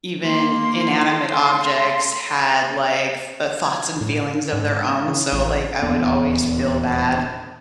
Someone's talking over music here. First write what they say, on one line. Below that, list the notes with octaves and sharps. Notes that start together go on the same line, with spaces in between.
even inanimate objects had, like, f uh, thoughts and feelings of their own, so, like, I would always feel bad,
A#3 C6
A4 C6
G#6
A2
G#2
C#3
A1
D#1 E2 B3 D4